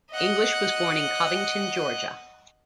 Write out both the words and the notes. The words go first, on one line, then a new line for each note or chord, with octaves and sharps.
English was born in Covington, Georgia.
D#5 F#5